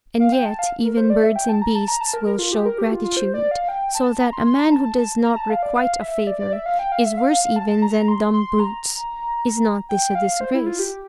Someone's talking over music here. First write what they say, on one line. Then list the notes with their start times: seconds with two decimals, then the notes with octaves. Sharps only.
And yet even birds and beasts will show gratitude; so that a man who does not requite a favour is worse even than dumb brutes. Is not this a disgrace?
0.20 F5
0.32 G5
0.45 A5
0.59 F5
0.84 A#4
0.97 C5
1.10 D5
1.23 E5
1.36 G5
1.49 A5
1.62 A#5
1.75 A5
1.88 A#5
2.01 A5
2.14 A#4
2.26 A#4
2.39 F4
2.52 G4
2.65 A#4
2.78 G4
2.91 F4
3.04 F4
3.17 C5
3.34 D5
3.51 F5
3.68 G5
3.95 A5
4.21 A#5
4.33 C6
4.46 C6
4.59 A#5
4.72 A5
4.84 A5
4.98 A5
5.24 A#5
5.36 A5
5.50 F5
5.63 D5
5.75 F5
6.01 E5
6.27 D5
6.40 D5
6.53 E5
6.66 F5
6.79 G5
6.92 F5
7.05 E5
7.18 F5
7.30 F5
7.43 F5
7.56 A5
7.69 A5
7.82 A#5
8.08 C6
8.33 C6
8.60 A#5
9.89 G5
10.15 F5
10.41 C5
10.54 E4
10.66 F4
10.79 G4